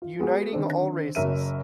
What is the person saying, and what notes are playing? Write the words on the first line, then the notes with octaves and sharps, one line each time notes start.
Uniting All Races.
F4
G#3 B3 F#4 G#4
D3 D#3 C4 D4
F#1 F#2 A#4 E5 D#7